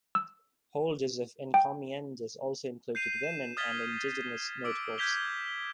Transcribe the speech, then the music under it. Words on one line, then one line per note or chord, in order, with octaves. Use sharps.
Holders of "encomiendas" also included women and indigenous notables.
E6
G5
G6 C7 D#7 F7
E7
D#6 F6 G#6 A6 B6 G7
D6 E6 D7
F6 G6 G#6 B6 F7 G7